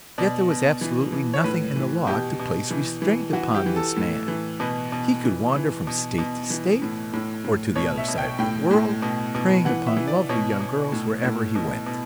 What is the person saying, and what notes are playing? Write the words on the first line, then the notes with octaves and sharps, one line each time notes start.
Yet there was absolutely nothing in the law to place restraint upon this man; he could wander from state to state, or to the other side of the world, preying upon lovely young girls wherever he went.
B2 D5
B2
E3
E3
C#5
A2 B4
E3
B2 G4
B2
E3
E3
E3 F#4
G4
E3
A4
A2
E3
B2 B4
B2
E3
E3
B2
B2
E3
A2
A2
A2
B2 C#5
E5
B2
G5
A2 G5
A2
B2
B2
E3 F#5
E5
E3
D5
B2 C#5
B2
A2
A2
B2
B2